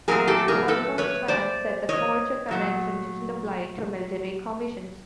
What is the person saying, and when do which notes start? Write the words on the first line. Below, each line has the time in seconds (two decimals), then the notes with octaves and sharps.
Colonel Swann said the Torture Convention didn't apply to military commissions.
0.08 A#2 F#3 A3 C4 G#4 A#4
0.27 G4 A4
0.48 G#4 A#4
0.68 A4 B4
0.98 B4 C#5
1.28 C5 D5
1.89 C#5 D#5
2.48 A#2 F#3 A3